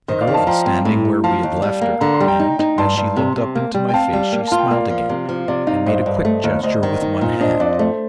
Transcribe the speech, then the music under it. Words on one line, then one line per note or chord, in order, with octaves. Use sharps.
The girl was standing where we had left her, and as she looked up into my face, she smiled again, and made a quick gesture with one hand.
D#3 C5 D#5
D5 F5
D#3
F5 A5
F3 G5 A#5
C4
A2
A3
F3 F5 A5
D#2
G3
A#3
D3 A#5
C6
G3
G5 A#5
D#4
D#4
G2 A5 C6
G2
C3
C3
A#3
G3
G5
C4 F5 A5
G3
A#3
F4 A5
G5
A#3 D5 F5
F3
C3
F3
C3 D5
D#4 D5 F5
G2 C5 D#5
G2
A3
D#2
D2 C5 D#5
D#3
D#4
A#2
D4 C5 D#5
F2 D5
A3 C5